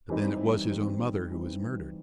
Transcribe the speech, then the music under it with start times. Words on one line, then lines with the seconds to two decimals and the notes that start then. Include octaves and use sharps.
"But then it was his own mother who was murdered."
0.10 E3 G3 C4 D#4
0.70 E3 G3 C4 D#4
1.31 E3 G3 C4 D#4